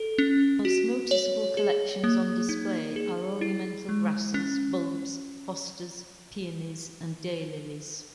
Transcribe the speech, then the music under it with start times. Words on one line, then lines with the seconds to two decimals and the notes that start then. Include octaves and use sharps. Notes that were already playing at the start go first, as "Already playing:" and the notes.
The most notable collections on display are ornamental grasses, bulbs, hostas, peonies and daylilies.
Already playing: A4
0.18 C#4
0.65 F#4
1.11 C#5
1.57 G#4
2.04 A#3
2.49 D#4
2.96 G#4
3.41 E4
3.89 G#3
4.34 C#4